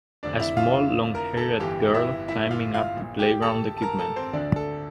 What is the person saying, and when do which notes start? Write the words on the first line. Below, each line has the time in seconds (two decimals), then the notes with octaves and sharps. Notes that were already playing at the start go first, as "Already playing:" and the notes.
A small longhaired girl climbing up the playground equipment.
0.23 F1 F2 D3 D4 D5
0.40 E4 E5
0.57 F4 F5
1.15 A#4 A#5
1.37 A4 A5
1.60 G1 G2 E3 G4 G5
1.94 E4 E5
2.28 E4 E5
2.51 F4 F5
2.74 F4 F5
2.96 A#1 A#2
3.19 G4 G5
3.42 A4 A5
3.78 A5
3.82 A#4 A#5
3.98 A4 A5
4.16 C4 C5
4.33 D2 D3 D4 D5
4.56 A4